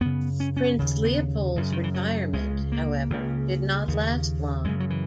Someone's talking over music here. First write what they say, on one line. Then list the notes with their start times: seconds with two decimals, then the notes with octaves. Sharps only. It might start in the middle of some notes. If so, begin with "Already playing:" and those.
Prince Leopold's retirement, however, did not last long.
0.01 F#2 C#3 B3
0.40 C#4
0.57 C#4
0.79 D#2 C#3
1.04 B3
1.56 F#2 C#3
1.72 D#3
1.84 E3
1.94 F#3
2.33 C#2 C#3 G#3
2.72 A#3
3.10 C#2 C#3
3.88 D#2 C#3
4.65 F#2 C#3 G#3
4.80 F#3
4.90 E3